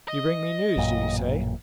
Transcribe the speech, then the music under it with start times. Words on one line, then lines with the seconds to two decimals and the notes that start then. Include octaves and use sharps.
"You bring me news, do you say?"
0.08 D#5
0.77 A1 F#2 A#2